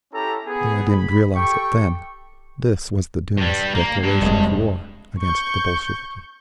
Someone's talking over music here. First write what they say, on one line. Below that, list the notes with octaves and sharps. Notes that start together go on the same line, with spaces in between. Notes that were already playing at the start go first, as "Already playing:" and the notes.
Though I didn't realize it then, this was the Duma's declaration of war against the Bolsheviki.
C#4 E4 G4 A4 A#5
B3 G#4
B5
G4 A4 G5 C#6
G2 G3
A#3
G2
F1 G#3
C#6 G6